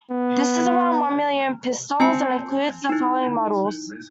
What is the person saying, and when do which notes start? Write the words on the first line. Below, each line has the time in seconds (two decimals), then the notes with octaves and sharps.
This is around one million pistols and includes the following models.
0.11 B3
2.00 C4 G#5 A5 C#7
2.89 D#4 E4